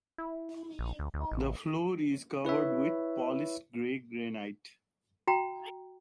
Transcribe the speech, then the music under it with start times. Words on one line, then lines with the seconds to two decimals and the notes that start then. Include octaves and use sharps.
The floor is covered with polished grey granite.
0.18 E4
0.79 A#1
0.99 D2
1.14 D2
1.32 A1
2.45 E4 B4 C#5 E5
5.27 F#4 G5 A#5